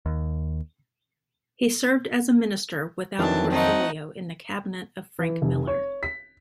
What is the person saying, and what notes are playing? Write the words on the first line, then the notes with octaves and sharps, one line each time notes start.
He served as a minister without portfolio in the cabinet of Frank Miller.
D#2
F2 D#3 E3 F#3 D4 A5
A3 C4 D#4 F#5
E3
F1
C#5
B6